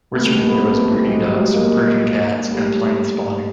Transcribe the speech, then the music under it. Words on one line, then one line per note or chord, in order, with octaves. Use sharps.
Richard enjoys breeding ducks, Persian Cats and plane spotting.
A3 B3
G3 A3
G#3 A#3
A3 B3
A#3 C4
A3 B3
G3 A3
G3 A3
F#3 G#3
G3
F#3 G#3
G#3 A#3
G3 A3